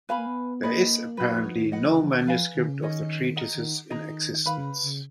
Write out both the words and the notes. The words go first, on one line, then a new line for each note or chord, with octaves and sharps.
There is apparently no manuscript of the treatises in existence.
B3 B4 F5 G#5 B5
A#3
B3
A#3 D#4 G#4 B4 D#5
F#3 D#4 F#4 B4
F3
F3
D#3
F3 B4 D#5 F#5
C#3
F3
D#3
F3 B4 F5 G#5
D#3
C#3
D#3 C#4 G#4 D#5
G#4 D#5 F#5 A#5
D#3
D#3 G#4 D#5 A#5
D#3 B4 F5 B5
C#3
C#3